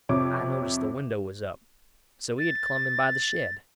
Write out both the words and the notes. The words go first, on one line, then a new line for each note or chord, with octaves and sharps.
I noticed the window was up; so he had clumb in by the shed.
F2 C3 C#5 D6
A6